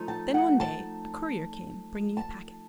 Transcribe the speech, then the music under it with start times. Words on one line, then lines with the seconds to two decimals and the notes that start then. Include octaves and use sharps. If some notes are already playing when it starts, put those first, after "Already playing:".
Then one day a courier came, bringing a packet.
Already playing: F3 A3 D#4
0.08 A5
0.34 F#5
0.60 A5
2.17 A5